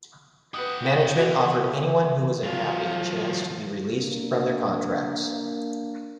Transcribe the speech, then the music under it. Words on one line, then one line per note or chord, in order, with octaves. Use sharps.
Management offered anyone who was unhappy a chance to be released from their contracts.
G4 B4 F#5 D#6
B2 E4 F#4
F#3 F4
A#3 D4